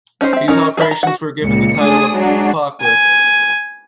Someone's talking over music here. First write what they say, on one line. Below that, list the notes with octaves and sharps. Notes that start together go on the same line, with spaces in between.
These operations were given the title of "Clockwork".
C#4 D#4 E4 C5
C4 E5
C#4 D#4 A#4
G#4 A#4 C5 E5 B5
A#5
F#4 F#5
C#2 A#2 C#7
A3 D4 G#4 D#6
F#3 G#3 D4 G#4
G#5